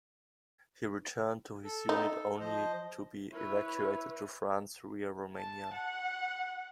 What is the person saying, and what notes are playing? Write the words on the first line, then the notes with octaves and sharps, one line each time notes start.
He returned to his unit only to be evacuated to France via Romania.
A4
D#4
F3 C5 D#5
E4 B4 C#5
A5
F#5